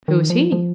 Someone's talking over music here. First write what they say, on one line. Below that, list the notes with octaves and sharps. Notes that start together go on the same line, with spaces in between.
"Who is he?"
D#3
F3
F3